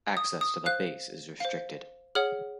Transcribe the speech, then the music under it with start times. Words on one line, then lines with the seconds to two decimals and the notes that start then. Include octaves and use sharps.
Access to the base is restricted.
0.17 D#6
0.41 D#6
0.66 C5 F5 F#6
1.40 C5 F5
2.15 G#4 C#5 F#5 F6